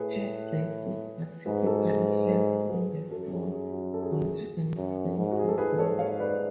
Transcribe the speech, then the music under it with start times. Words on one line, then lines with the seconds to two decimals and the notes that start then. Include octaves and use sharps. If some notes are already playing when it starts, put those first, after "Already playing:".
Head races are typically held in the fall, winter and spring seasons.
Already playing: A2 G#4 B4
1.46 G#2 G#4 B4
1.66 F#4 A4
1.78 F#4
1.87 G#4
2.07 G#4 B4
2.28 A4 C#5
2.69 G#4 B4
3.10 F#2 F#4 A4
3.31 G#4
3.52 G#4
3.72 F#4
3.94 A4
4.03 G#4
4.11 F#4
4.21 G#4
4.76 F#2
5.17 G#2
5.31 F#4
5.39 G#4
5.49 A4
5.58 G#2 G#4 B4
5.78 A4 C#5
5.99 C#5 F5
6.20 B4 D5